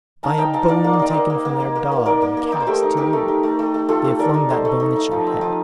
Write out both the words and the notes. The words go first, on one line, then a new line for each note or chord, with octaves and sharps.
By a bone taken from their dog and cast to you. They have flung that bone at your head.
D#4 F5 A5
D#4 D#5 G5
D#4 F5 A5
D#5
D#4 D5 F5
A#3 F5
D#5
D#4 D5
A#3 C5 D#5
A#3
A#3
A#3
A#3
A#3
D#4 A#4 D5
A#3
A#3
D#4
C5
A3 G4 A#4
D#4
D#4 G4 A#4
A3
D#4
A3
A3
A3
A3 F4 A4
A3
D#4 A#4 D5
D#4
A3 C5 D#5
A3
D#4
D#4
F3
C4
F3